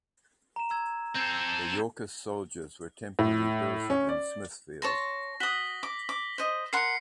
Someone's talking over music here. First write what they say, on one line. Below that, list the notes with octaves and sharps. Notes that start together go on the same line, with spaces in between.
The Yorkist soldiers were temporarily billeted in Smithfield.
A#5 E7
A#5 E6 G#6
C4 A4 G6 G#6 C7
A2
C#4
D5
C#5 A5 C6 A#6
F#4 D#6 B6 F#7 G7
D6
D6
C5 D#5
A#4 F#5 C6 C7 C#7